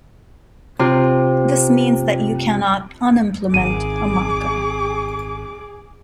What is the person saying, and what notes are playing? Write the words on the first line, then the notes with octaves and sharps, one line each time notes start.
This means that you cannot "unimplement" a marker.
C3 F4
G#1 G#4 D6 D#7